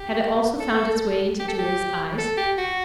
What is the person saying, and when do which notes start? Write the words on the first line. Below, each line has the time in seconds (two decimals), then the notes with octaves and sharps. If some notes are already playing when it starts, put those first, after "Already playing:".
Had it also found its way into Julie's eyes?
Already playing: G4
0.60 A4
1.39 G4
1.48 A4
1.59 G4
2.18 A4
2.37 G4
2.58 F#4